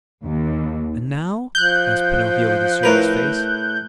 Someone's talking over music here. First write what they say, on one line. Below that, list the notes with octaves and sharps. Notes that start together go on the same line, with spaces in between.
"And now?" asked Pinocchio with a serious face.
D#2
F3 F#6 G6
A2 A#4 B4